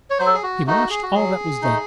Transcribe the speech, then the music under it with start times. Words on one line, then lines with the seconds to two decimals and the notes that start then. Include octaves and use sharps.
He watched all that was done.
0.10 C#5
0.19 F#3 C5
0.26 A4
0.34 G#4
0.43 F#4
0.67 A3 D#4 F#4
0.90 G#4
1.03 F#4
1.14 F#3 G#4
1.62 A3 D#4